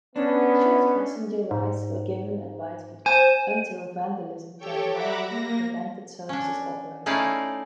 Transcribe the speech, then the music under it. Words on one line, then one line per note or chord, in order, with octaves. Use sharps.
Short passenger rides were given at Bideford until vandalism temporarily prevented services operating.
B3 C#4 D4
G#2
C5 G#5
G4 A4 C#5 G5
E5 F#5 A#5 B5 D6
A#3 A#6
C#4 D4
A3 C#4 D#4 E4 D5 F5